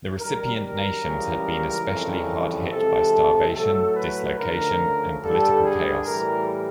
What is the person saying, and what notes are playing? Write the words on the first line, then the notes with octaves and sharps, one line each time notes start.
The recipient nations had been especially hard hit by starvation, dislocation, and political chaos.
F#2 D#3 G3 A#4
A#4
C#2 C#3 E3 G3
F2 C#3 E3 G3
E2 C3 F3 G#3 A4
A2 F#3 A3 A4
B4
D2 C#3 F3 A#4
G2 D3 G3 A4
G#4
A2 E3 G3 A#4